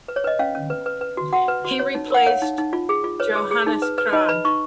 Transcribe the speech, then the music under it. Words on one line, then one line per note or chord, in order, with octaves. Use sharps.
He replaced Johannes Kraan.
B4
C#5
B4 D#5
C#4 F5
C#4
B4
B4
B4
F#4
F#4 F#5
B4
F#4
C#5
D#4
A#4 F#5
C#5 F5
D#4
D#4
F4
G#4
F4
B4 C#5
G#4
G#4
D#4
B4
B4
D#4 D#5
B4 B5
D#4 C#6